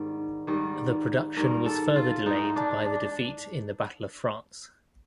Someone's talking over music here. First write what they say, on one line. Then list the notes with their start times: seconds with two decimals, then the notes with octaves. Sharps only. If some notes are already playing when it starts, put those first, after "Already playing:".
The production was further delayed by the defeat in the Battle of France.
Already playing: G#2 D#3 G3
0.47 G#2 D#3 G3
1.37 G#2 D#3 G3 A#4
1.66 A4
1.96 F4
2.26 G#2 E3 G#3 D#4
2.56 D4
2.85 D4